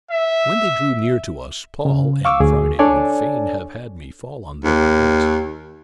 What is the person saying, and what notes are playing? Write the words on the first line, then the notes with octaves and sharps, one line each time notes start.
When they drew near to us, Paul and Friday would fain have had me fall on them at once.
E5
C#3
F5 C#6 D6 E6
D2 G#4
D4 A4 C#5 D5 G#5
D#2